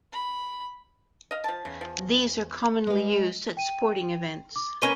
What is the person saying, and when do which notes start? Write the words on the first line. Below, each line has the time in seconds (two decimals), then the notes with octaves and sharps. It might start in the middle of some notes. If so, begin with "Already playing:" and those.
These are commonly used at sporting events.
0.12 B5
1.31 D#5 F5
1.44 F3 A5
1.65 E2 C#3
1.81 F3
2.87 G#3 B4 F5
3.57 G5 D#7
4.56 D6
4.82 A#3 C#4 B4 C#6 D#7 G7